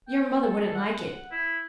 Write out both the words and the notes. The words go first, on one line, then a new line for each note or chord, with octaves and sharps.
"Your mother wouldn't like it."
G5
A4
F#5
E4